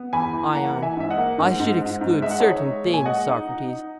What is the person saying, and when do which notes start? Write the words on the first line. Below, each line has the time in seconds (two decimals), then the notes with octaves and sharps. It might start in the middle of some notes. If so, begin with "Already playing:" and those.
ION: I should exclude certain things, Socrates.
Already playing: B3
0.13 E2 G#5 B5
0.33 E3
0.54 A#3 F#5 A#5
0.76 E3
0.82 E5 G#5
0.97 G#2 E5
1.10 D#5 F#5
1.17 A#3
1.38 G#2
1.59 G#2
1.80 G#2
2.01 G#2
2.22 G#3 E5
2.31 F#5
2.40 D#4 C#5 E5
2.64 G#3
2.85 A#2
2.94 G#5
3.06 G#3 D#5 F#5
3.27 D#4
3.47 D#4
3.68 D#4